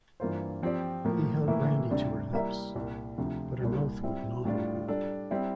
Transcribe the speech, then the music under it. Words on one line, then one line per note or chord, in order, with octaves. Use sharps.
He held brandy to her lips, but her mouth would not open.
G2 E3 A#3 F4 C5
F3 C4 G4 D5
A2 F3 A#3
A2 E3 A#3 E4
D2 C3 G3 D4
G3 A#3 E4 A#4 E5
C2 A#2 G3
D2 C3 F3
C2 A#2 G3
G3 C4 E4
A2 G3 D4 F4
G3 D4 A4
G3 C4 E4